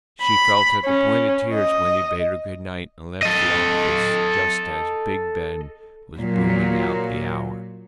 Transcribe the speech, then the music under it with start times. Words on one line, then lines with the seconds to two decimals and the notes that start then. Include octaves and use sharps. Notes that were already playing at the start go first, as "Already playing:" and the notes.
She felt at the point of tears when he bade her good night and left the office, just as Big Ben was booming out the hour.
0.22 B5
0.85 C#4
1.54 D#5
3.23 A4 D#5
6.18 A#2 F#3